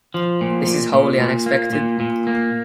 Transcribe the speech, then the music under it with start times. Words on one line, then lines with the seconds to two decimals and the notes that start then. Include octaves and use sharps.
This is wholly unexpected.
0.14 F3
0.41 A#2
0.67 A#2
0.93 A#2
1.21 A#2
1.46 A#3
1.73 A#2
2.00 A#2
2.27 A#3